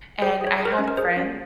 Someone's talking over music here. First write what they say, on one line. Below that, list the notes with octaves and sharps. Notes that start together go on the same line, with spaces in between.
and I have friends
G#4 C5
G#4
C#5
G#4
A#4
C5
C#4
A#4
G#4 C5
C#4